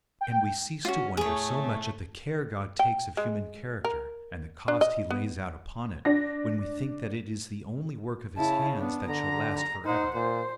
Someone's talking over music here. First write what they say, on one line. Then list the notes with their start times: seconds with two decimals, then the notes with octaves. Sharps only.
And we cease to wonder so much at the care God takes of human character, and the cost He lays out upon it, when we think that it is the only work of His hands that shall last for ever.
0.21 G5
0.85 C#4 F4 F#4
1.17 A2 A3 G#4 C#5
2.79 G5
3.17 G#3
3.85 A#4
4.68 D4
4.81 D#5
5.10 B3
6.05 D4 A#6
8.37 C#3 E4 A5
8.77 B3 D4
9.08 D3 A#5
9.56 A#5
9.85 D#4 C5 F#5
10.14 A#2 C5